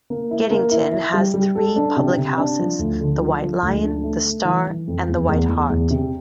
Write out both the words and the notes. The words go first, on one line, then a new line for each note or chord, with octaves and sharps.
Geddington has three public houses: The White Lion, The Star, and the White Hart.
A#3
E4
A#3
E4
E4
G3
G3
A4
D4
C3
C3
D4
F3
D2
D3
F3
F3
D2
D4
A3
A3
E3
E3
F2
E2
E2
E2
E2
C3